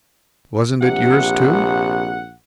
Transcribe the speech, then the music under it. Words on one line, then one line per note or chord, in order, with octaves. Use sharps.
Wasn't it yours, too?'
A#1 C3 F#5